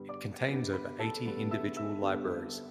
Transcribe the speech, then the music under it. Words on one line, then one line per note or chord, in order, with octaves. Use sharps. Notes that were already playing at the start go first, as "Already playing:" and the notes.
It contains over eighty individual libraries.
Already playing: G2 D3 G3 B3
D5 D6
G2 D3 G3 B3
B4 B5
A4 A5
G2 D3 G3 B3
E5 E6
E5 E6
G2 D3 G3 B3